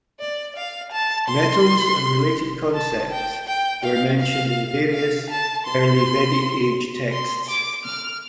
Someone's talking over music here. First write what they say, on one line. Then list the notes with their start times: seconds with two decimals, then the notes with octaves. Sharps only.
Metals and related concepts were mentioned in various early Vedic age texts.
0.19 D5
0.56 F5
0.92 A5
1.28 C6
2.75 A5
3.11 G5
3.47 G5
3.84 F5
4.20 F5
4.93 F5
5.30 A5
5.66 C6
7.12 C6
7.49 D6
7.85 F6